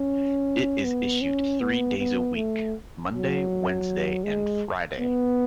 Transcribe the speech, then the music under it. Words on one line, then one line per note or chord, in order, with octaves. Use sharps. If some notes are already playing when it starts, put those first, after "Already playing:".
It is issued three days a week, monday, wednesday and friday.
Already playing: C#4
B3
C#4
B3
B3
A3
F#3
G#3
B3